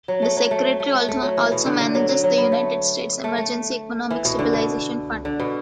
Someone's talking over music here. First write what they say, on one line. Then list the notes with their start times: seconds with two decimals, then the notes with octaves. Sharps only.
The Secretary also manages the United States Emergency Economic Stabilization fund.
0.08 F#3
0.22 A3
0.37 F#3
0.51 A3
0.80 A3
0.94 A3
1.08 A3
1.22 F#3
1.37 E3
1.52 B2
1.66 D3
1.80 D3
1.94 F#3
2.09 F#3
2.24 F#3
2.38 B3
2.52 A3
3.24 A3
3.38 A3
4.11 E3
4.25 B2
4.39 D3
4.53 B2
5.25 D3
5.40 B2